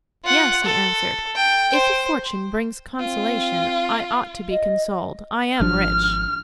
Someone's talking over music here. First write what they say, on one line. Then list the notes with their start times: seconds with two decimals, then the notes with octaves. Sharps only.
"Yes," he answered, "if a fortune brings consolation, I ought to be consoled; I am rich."
0.25 F4 F#5
0.64 A4
1.36 G5
1.74 C5
2.99 C4 F4
4.50 D#5
5.60 G#1 F3 D4 F6